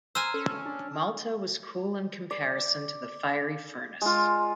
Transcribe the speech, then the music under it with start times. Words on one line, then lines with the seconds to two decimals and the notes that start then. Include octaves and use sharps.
Malta was cool in comparison to the fiery furnace.
0.15 C5 G#5 A#5 E6 F6
0.34 C#4 A4
0.66 D4
2.31 D5
4.02 G#3 F4